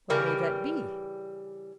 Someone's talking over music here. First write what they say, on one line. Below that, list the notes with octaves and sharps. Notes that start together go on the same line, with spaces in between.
What may that be?
C#3 E3 G3 A#4